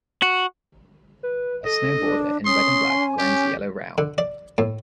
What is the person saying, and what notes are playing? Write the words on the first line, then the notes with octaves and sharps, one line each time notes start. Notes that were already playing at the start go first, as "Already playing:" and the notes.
A snowboarder in red and black grinds a yellow rail.
F#4
B4
A4 D#5
D4
C#4 C6 D#6
G#5
C#4 G4
D3
D5
A2